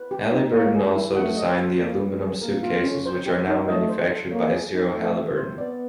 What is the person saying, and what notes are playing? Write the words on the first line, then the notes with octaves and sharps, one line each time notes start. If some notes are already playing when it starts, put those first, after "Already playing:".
Halliburton also designed the aluminum suitcases which are now manufactured by Zero Halliburton.
Already playing: B4
G4
D#4
A#3 C#5
G#4
E4
A3 F#5
D#5
C5
A#3 D5
B4
G#4
A#3 A#4
F4
C#4
C5
G4
D#4
A3 D#5
C5
A4
A#3 C#5
G#4
D#4
A3 G5
E5
C5
B3 D5